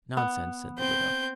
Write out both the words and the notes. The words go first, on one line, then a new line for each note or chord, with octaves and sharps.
"Nonsense," said the widow.
B3
C4 G6